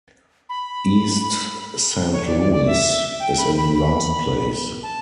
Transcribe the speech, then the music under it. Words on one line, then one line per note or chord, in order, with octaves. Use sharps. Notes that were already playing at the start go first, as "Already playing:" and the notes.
East Saint Louis is in last place.
B5
C#5
D5
D5
D5
E5
G5
B5
B5
B5
A5